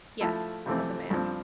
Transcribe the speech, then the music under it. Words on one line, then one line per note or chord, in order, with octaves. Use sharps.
"Yes," said the man.
F3 A3 E4 A4
F2 C3 E3 A3 C4
G2 F3 C4